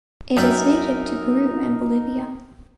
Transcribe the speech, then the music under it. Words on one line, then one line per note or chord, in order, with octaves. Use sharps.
It is native to Peru and Bolivia.
F#2 D#4 A#4 D5 E5 G5